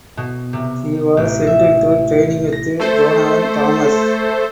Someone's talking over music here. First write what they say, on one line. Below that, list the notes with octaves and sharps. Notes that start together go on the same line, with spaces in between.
He was sent into training with Jonathan Thomas.
B2
C3
A1
E5
A#6
A3 A4 C5